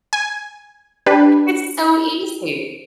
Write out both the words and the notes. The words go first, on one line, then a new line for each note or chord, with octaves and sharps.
it's so easy.
G#5
D4 G4 B4